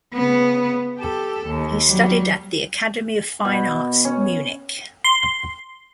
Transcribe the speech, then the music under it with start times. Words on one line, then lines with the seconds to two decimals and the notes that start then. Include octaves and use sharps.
He studied at the Academy of Fine Arts, Munich.
0.14 C#3 B3
0.98 G4 A4
1.46 D#2
1.85 F#3 G3
3.45 B2
4.05 C#4
5.04 C6